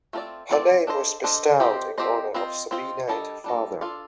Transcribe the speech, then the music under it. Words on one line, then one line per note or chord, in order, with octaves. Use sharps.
Her name was bestowed in honor of Sabina and her father.
A3 C4 F4 A#4 D5
A3 C4 F4 A#4 D5
D4 A4 C5 D#5
D4 A4 C5 D#5
F3 C4 G4 C5 D#5
F3 C4 G4 C5 D#5
C4 F4 C5 D#5
C4 F4 C5 D#5
G3 D4 A4 D#5
G3 D4 A4 D#5
D4 F4 A4 D5 F5